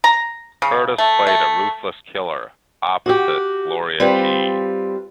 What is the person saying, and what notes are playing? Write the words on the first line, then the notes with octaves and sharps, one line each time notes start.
Curtis played a ruthless killer opposite Gloria Jean.
A#5
C#3
A3
A3
F#4 G4
G3 C4 F4 B4